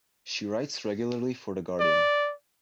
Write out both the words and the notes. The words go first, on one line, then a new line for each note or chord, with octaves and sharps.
She writes regularly for "The Guardian".
D5